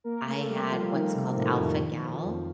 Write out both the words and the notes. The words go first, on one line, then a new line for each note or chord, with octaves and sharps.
I had what's called alpha-gal.
A#3 A#4
A3 A4
G3 G4
F3 F4
D#3 D#4
C3 C4
A2 A3
F2 F3
D#3
F3
D#3
F2 F3